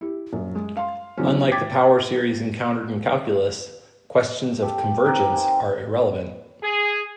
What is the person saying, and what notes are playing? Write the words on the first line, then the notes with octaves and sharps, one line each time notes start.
Unlike the power series encountered in calculus, questions of convergence are irrelevant.
E4 G4
A#1 F#2
G#3
F5 C6
B2 D3 E3 F#3 C4 C#4
G5 D6 G#6 A6 B6
G4 A4
C4 D#4 G4 A#4
G5 G#5
G#4